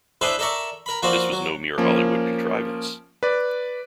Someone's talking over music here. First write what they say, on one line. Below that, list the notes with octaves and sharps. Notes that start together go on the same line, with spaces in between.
This was no mere Hollywood contrivance.
D4 E4 G#4 A4 B4 C5
A4 A#4 D5 E5 C#6
A#4 B5
F3 A#3 C4 F#4 D5
F#3
F3 A#3 C#4
B4 D5